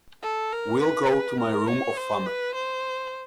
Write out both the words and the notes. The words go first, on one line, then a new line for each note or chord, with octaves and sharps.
We'll go to my room of fun.
A4
A#4
B4
A#4
C#5
C5
B4
C5